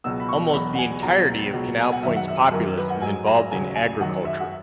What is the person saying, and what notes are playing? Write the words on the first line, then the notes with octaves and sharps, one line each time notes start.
Almost the entirety of Canal Point's populace is involved in agriculture.
C#2 B2 F#3 E6
B5
C#6
E2 B2 F#3 B5
F#5
G#5
C#2 B2 F#3 A#5
C#2 B2 F#3
G#5
F#5
F#2 D#3 F#3 E5
F#5
E5
F#2 D#3 F#3 A#4
B4
F#5
G#2 F#3 G#5
A#5
D#2 C#3 F#3 G#5
G#5
F#2 D#3 F#3 F#5
E5
F#5